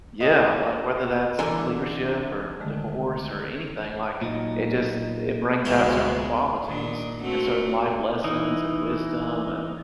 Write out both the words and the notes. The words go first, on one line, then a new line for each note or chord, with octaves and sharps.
Yeah, like, whether that's leadership or divorce or anything, like, it just it brings out certain qualities and certain life lessons and wisdom and
D#5
D3 E3 A4 A#4 G#5 A#5
D3 D#3 G#3 A3
A#2 F#3 D#4
D2 G#2 C3 E3 G#3 B3 F4 F#4
A#2 D#3 D4
A3 C4 F#4
E3 D#4